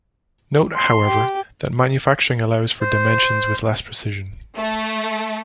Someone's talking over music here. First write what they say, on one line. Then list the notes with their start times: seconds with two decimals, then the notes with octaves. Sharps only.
Note, however, that manufacturing allows for dimensions with less precision.
0.75 C6
1.05 G4
2.81 C5
4.57 A3